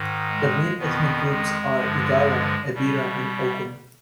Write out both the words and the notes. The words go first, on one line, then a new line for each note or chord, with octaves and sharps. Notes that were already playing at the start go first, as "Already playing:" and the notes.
The main ethnic groups are Igala, Ebira, and Okun.
Already playing: G#2 D#3
G#3
F2 B2 D#3 B3
G#3
G2 D3 F3
B2 G3